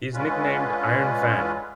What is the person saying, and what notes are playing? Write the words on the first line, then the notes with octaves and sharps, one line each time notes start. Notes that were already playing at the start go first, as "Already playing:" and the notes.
He is nicknamed "Iron Fan".
D3 G#3 C#4 F4 B4